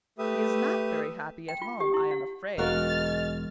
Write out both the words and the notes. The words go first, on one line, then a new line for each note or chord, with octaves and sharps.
He is not very happy at home, I am afraid.
A3 G4 B4 E5 D#6
G5
F4
G4
E4
F#5
E1 G#3 F#4 A#4 F5 F6 A6